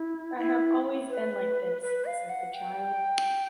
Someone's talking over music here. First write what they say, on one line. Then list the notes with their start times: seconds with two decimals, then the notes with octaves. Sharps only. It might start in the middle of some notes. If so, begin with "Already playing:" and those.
I have always been like this,said the child.
Already playing: E4
0.37 E4
1.10 B4
1.82 B4
2.05 F5
2.29 F#5
2.54 G5